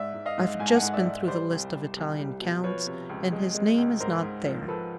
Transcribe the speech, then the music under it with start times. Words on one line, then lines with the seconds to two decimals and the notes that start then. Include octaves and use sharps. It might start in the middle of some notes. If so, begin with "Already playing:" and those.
I've just been through the list of Italian counts, and his name is not there.
Already playing: G#2 D5 E5
0.14 G#2
0.26 D#5 F5
0.38 G#2
0.59 G#2 G#5
0.67 A5
0.76 F#5 G#5
0.82 G#2
0.94 D5 E5
1.05 G#2
1.28 G3 C5 D5
1.50 C2
1.74 G3
1.96 C2
2.19 G3
2.41 B2
2.64 F3 B4 C#5
2.87 C3
3.09 C#2
3.32 G#3
3.54 G#3
3.78 C#2
4.00 G#2 A#4 C5
4.22 G#2
4.46 F3
4.68 F3 A4 B4